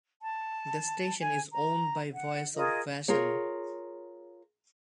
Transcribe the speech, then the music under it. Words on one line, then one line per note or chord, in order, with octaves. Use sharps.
The station is owned by Voice of Vashon.
A5
G#5
A#5
F#5
F4 G#4 A#4 D#5
F4 G#4 A#4 C#5